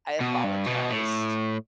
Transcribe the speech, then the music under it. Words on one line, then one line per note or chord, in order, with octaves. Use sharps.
I apologized
B2
G2
B2
A2